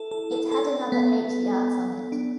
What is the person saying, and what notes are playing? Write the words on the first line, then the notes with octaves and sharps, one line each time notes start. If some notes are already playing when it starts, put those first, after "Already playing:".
It had another eight yards on it.
Already playing: E4 A4
A4
A4
A4
B3
D4